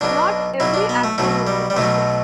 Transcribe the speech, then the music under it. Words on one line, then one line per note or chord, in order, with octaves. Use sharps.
Not every action was a success.
B1 B2 F#3 D4
B1 B2 F#3 E4
D4
B3
A3
B1 B2 F#3 A3
G3
G3
B1 B2 F#3 A3